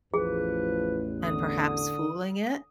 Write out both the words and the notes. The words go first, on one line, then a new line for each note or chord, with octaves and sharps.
and perhaps fooling it
A1 E2 F3 G#4 B4
D3 D#6